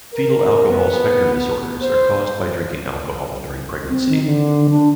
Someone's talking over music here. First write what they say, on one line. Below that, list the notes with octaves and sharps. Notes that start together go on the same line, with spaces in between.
Fetal alcohol spectrum disorders are caused by drinking alcohol during pregnancy.
A#4
B3
B3
C5
C4
D#3
D3
D4